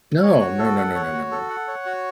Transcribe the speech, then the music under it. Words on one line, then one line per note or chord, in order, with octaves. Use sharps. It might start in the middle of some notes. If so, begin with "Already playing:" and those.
No, no, no, no, no, no, no, no.
C#5
F#4
A4
F#5
C#5
F#4
A4
F#5
C#5
F#4